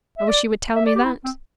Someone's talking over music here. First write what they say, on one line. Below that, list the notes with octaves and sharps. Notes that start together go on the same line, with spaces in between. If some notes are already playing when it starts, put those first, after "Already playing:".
"I wish you would tell me that."
E5
D5
E5
D5
G4
E4
C4